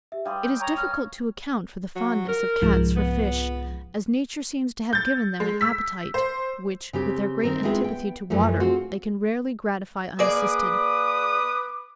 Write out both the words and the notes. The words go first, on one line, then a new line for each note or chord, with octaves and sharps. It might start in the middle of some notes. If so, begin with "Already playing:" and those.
It is difficult to account for the fondness of Cats for fish, as nature seems to have given them an appetite, which, with their great antipathy to water, they can rarely gratify unassisted.
G4 E5
G3 G#4 F5 C6
G5
C#5 A#5
A#5 B5 F6
F#3
A#4
C2 G#2 F3
B3
G6 A6
G#3
E6 B6
C5
C#3 C4 G4
D#3 C4 A#4
G#3 B3 C4 E4 F4 G#4
B3 G5
F#2 E3 F3 A3
C4 F4 F#4 G#4 C5
A#3 G#4 B4 D5 D6 D#6